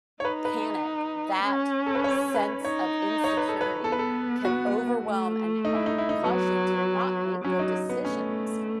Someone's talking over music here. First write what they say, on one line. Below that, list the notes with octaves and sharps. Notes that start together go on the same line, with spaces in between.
panic, that sense of insecurity can overwhelm and hel cause you to not make good decisions
C#5
D#4 B4
B4
C#4
A4
B4
C#5
B4
D#4 C#5
C#5
B4
A4
B4
B3 A4
B4
A4
F#4
A3
D#4
E4
D#4
E4
D#4
F#3 B3
F#3 C#4
D#4
B3
A3 C#4